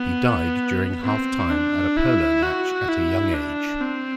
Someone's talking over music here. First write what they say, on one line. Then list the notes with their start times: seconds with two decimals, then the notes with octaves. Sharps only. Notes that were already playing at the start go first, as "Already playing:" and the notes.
He died during half time at a polo match at a young age.
Already playing: B3
1.04 C4
1.50 D4
1.97 E4
2.42 F#4
2.88 E4
3.34 D4
3.80 C4